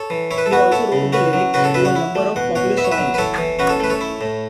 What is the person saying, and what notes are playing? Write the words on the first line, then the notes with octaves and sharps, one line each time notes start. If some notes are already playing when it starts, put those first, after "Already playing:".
He also wrote the lyrics to a number of popular songs.
Already playing: A4 C#5
E3
E4 C#5
B4
A4
B3 F#4 B4
E4 A4 C#5
C#3
C#4 F#4 B4
F#3
C#3 F#4 B4
A4 C#5
C#3 B4 E5
C#5 F#5
E4
A3
B2 F#5
B2 C#5 F#5
B3 E5
C#5
B4 E5
F#3
B4
E4 A4 C#5
E3
C#4 F#4 B4
A4 C#5
A3 B4
A4 C#5
E4
A2